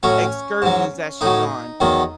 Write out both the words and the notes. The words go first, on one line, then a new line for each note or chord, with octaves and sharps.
excursions that she's on.
A2 F#3 C#4
G#2 F#3
A2 F#3 D#4
E2 D#3 F#3